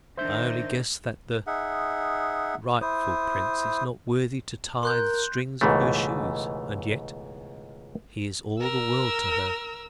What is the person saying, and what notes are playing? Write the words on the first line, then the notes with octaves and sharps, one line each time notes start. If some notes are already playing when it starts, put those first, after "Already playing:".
I only guess that the--rightful prince is not worthy to tie the strings of her shoes, and yet--he is all the world to her.
D#3 D4 D#4 C5 E5 G6
D#4 G#4 E5 F#5
E4 C5 D#6
A#4 C6 F#6 G6
C#2 G#2 B2 E3 A3
A#4 E6